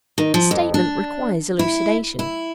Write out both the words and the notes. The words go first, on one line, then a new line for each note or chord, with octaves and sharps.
This statement requires elucidation.
D#3
F3
F2
D4
E4
E4